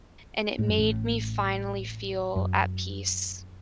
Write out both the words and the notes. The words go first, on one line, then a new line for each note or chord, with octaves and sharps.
and it made me finally feel at peace,
A2
F#2
A1 A2
F#2